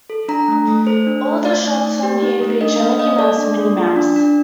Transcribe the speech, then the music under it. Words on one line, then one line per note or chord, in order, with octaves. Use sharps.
All of the shorts on here feature Mickey Mouse and Minnie Mouse.
A4
D4 A#5
A3
A3
A4 C5
D4
A3
D#4 D5
A3
A3
G4
D#4
A3
D4 D#5
A#3 F5
A#3 D#5
A4 D5
D4
A#3
F4
D4
D4